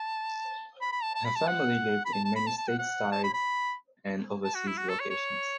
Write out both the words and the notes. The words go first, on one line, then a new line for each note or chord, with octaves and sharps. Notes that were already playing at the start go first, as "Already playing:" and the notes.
Her family lived in many stateside and overseas locations.
Already playing: A5
B5
B5
A5
A5
B5
A5
F#5
B5
A5
A5
B5
A5
A5
F#5
F#5
A5
B5
B5
A5
F#4
E4
F#4
A4
C#5
C#5